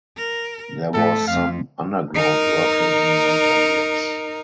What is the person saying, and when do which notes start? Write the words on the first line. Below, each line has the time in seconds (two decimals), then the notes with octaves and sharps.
There was some underground working in later years.
0.17 A#4
0.94 A2 A3 A4
1.27 F2 F5
2.14 D#4 A#4